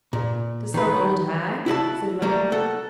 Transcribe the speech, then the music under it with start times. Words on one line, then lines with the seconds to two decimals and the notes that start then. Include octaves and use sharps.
'To some old hag?' said Ralph.
0.13 A#2
0.74 D#3 B4
1.66 E4 F#4 D#5 A5
2.22 G3 A3 A#3
2.52 A4 F#5